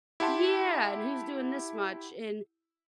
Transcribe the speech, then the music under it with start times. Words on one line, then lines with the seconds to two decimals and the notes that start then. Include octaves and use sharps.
Yeah, and who's doing this much, and
0.20 E4 G4 F#5 A5 C6